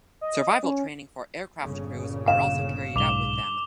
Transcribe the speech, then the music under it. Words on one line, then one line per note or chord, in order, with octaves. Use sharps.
Survival training for aircraft crews are also carried out with them.
D#5
C#4
G1 A#2 C#3
F5 E7
B1 G#2 D6 F7 G7